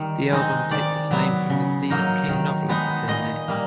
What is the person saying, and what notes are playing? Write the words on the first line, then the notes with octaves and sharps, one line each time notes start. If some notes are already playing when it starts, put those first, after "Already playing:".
The album takes its name from the Stephen King novel of the same name.
Already playing: D#3 G3
G#3 C4 D#4
D#3 D5
F#3 B3
C#3
F#3 A#3 D#4
D#3
G#3 B3 D#4
A#2 D#5
G3 A#3